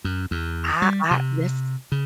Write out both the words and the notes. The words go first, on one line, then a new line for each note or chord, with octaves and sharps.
I I this
F#2
E2
G3
C3
C#3